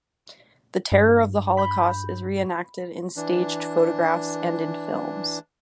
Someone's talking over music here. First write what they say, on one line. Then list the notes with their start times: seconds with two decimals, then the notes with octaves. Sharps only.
The terror of the Holocaust is re-enacted in staged photographs and in films.
0.92 G2
1.57 B5 G6
3.17 E3 D4